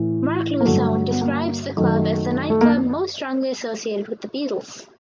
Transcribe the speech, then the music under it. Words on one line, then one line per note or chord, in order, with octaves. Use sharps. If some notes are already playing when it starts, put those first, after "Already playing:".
Mark Lewisohn describes the club as the nightclub "most strongly associated with The Beatles".
Already playing: A2 E3
A#3
G2 D3 F#3 A3
B3
A#3
F#2 D#3 F#3 A3
A3
A#3